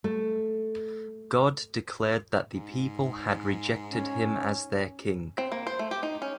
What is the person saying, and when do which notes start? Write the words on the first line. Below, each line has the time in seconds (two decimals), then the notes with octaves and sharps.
God declared that the people had rejected him as their king.
0.04 A3
2.54 G#2
3.91 C#4
5.38 C4
5.52 A#3
5.67 C5
5.79 A3
5.91 G4
6.03 D#4
6.22 C#4